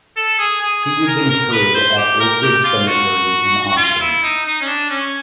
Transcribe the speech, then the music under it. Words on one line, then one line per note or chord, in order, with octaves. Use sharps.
He was interred at Oakwood Cemetery in Austin.
A4
G#4
G#4
G#4
A#4
A#4
B4
C5
G4
A#4
G4
F4
F#4
F4
E4
D#4
D#4
C#4
D4
C#4